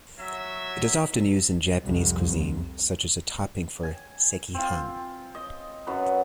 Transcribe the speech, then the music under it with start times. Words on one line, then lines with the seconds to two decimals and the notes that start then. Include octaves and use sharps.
It is often used in Japanese cuisine, such as a topping for "sekihan".
0.18 F#3 E5
1.83 C2 F2
3.83 G#5
4.55 C4 F4
5.35 D#5
5.87 F#2 F#3 B4